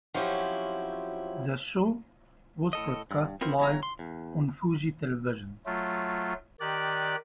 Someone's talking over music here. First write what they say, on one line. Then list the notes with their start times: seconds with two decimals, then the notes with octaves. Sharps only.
The show was broadcast live on Fuji Television.
0.14 F3 F#3 C4 C#4 E4 G4
2.73 A2 A4 D#5
3.11 G2
3.41 B3 C4 E4 F4 A#4 C5
3.59 E2 G2 C#5 A#5
3.83 C6
3.99 E2
5.66 F#3 A3 F4
6.60 D#3 G4 D5 F#6